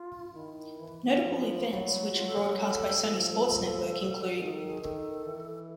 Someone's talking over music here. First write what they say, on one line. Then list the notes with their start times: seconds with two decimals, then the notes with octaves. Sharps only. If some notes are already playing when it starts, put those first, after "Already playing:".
Notable events which are broadcast by Sony Sports Network include.
Already playing: F4
0.34 D#3 E4
0.79 E3
1.23 F3 E4
1.68 F#3
2.12 F#3 F4
2.27 A4
2.42 A4
2.58 A4
3.02 F3
3.47 A4
4.36 D#3 G#4
4.51 A4
4.67 G#4
4.81 D#3 A4
5.26 E3